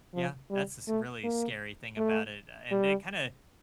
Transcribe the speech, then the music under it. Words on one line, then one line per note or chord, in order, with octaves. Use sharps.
Yeah, that's this really scary thing about it, uh, and it kinda
F3
G3
A3
A#3
A3
G3